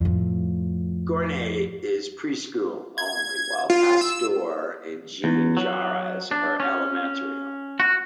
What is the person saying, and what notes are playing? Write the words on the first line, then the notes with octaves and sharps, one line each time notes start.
Gournay is preschool only, while Pasteur and Jean Jaures are elementary only.
F2 A2
G#6
F4
E6
E2
F#3
D4
C#4
F#4